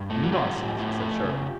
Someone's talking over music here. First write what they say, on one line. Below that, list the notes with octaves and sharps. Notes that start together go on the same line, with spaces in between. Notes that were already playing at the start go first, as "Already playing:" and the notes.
"Nonsense," he said, sharply.
Already playing: G2
A3
F#4
F#3 F4 G4
A2
A2
A3
C#3